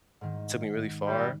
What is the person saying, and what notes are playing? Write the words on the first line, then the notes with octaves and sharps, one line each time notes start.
took me really far,
G#2 D#3
G3